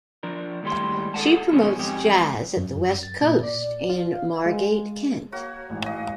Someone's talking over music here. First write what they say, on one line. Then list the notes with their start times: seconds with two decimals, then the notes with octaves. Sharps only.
She promotes Jazz at the Westcoast in Margate, Kent.
0.23 F3 D4 A#4
0.63 D#2 A2 G3 G#3 C6
1.14 G#4 A4 B4 E5 F#5 A5
1.52 B2 D#3 F3 C#4
1.79 F2 G#2 G4 G#4
2.57 F#2
3.03 A6
3.21 A#2
3.43 D5
3.90 F4
4.14 F5
4.46 G#3
5.32 A#3 F#4 C#5
5.70 A1 G#2
5.86 F#4 D#5 F5